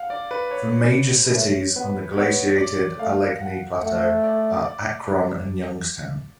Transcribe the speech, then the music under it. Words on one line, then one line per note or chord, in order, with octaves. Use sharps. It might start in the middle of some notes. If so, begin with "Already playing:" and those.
The major cities on the Glaciated Allegheny Plateau are Akron and Youngstown.
Already playing: F5 F#5
D5
B4
C#5
B4
A3 C#5
B3 B4
B3 C#5
D5
A3 F5
F#5
A3 F#5
D5
D5